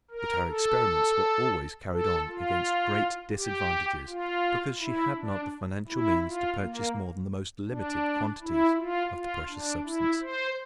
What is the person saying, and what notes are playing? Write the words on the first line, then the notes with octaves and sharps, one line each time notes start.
But her experiments were always carried on against great disadvantages because she had not the financial means to purchase more than the most limited quantities of the precious substance.
A#4
A4
A4
F4
G4
F4
E4
D4
E4
F4
A#3
D4
E4
F4
F4
D4
E4
C5